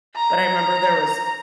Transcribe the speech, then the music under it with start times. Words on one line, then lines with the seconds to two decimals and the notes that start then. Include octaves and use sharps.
but I 'member there was
0.16 A#5